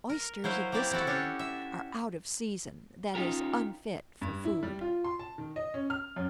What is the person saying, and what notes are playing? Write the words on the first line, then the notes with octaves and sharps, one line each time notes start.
Oysters, at this time, are "out of season"--that is, unfit for food.
A#4
F#3 E4 C5 F5
A#3 C4 E4 G4 D5
C4 E4 F#4 A4
C#4 D4 F#4 G4
E5
C#4 D#4 F4 G4 A#4
G2
E4
G3
F4
C6
A5
D#3
D#5
C#4
F6
F#2